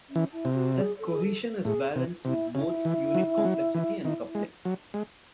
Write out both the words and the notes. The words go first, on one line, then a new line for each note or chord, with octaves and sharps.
Thus cohesion is balanced with both unit complexity and coupling.
C#4
E3
E4
C3
F#4
G#4
A4
G#4
A4
A2 G#4
C3
C3 E4
C#3 E4
E3
F#3
G#3
F#3
E3
D#3
G#3
F#3
G#3